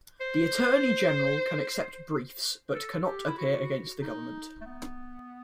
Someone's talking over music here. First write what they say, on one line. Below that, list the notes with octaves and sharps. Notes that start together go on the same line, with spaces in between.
The Attorney General can accept briefs but cannot appear against the Government.
C5
A4
G4
E4
F#4
D#4
A3
B3